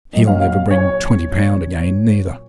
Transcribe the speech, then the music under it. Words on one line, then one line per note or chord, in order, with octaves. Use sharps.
He'll never bring twenty pound again, neither.'
A#2 F#3 D#5
F5
F5
C#5